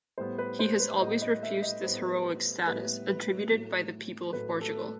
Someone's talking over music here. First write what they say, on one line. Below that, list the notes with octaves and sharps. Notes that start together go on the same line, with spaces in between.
He has always refused this heroic status, attributed by the people of Portugal.
A2 G3 B3 C5
B4
C5
B4
A2 G3 B3 D#5
D#5
E5
D#5
A2 G3 B3 C5
A2 G3 B3 B4
B4
A2 F#3 A3
A2 F#3 A3 B4
A4